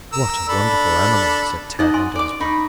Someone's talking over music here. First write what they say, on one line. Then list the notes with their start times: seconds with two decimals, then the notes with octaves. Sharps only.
"What a wonderful animal!" said Tad under his breath.
0.12 A#4 E6
0.49 D4 A4 B5
1.79 D#4 D5 D#5 F#5 A#5
1.94 G#5 C6
2.16 D5 D6
2.40 D#4 B5 C#6